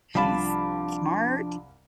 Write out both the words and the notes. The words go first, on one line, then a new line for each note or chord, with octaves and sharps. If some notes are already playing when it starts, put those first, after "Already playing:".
she's smart,
C2 F3 D4 F5 A5 B5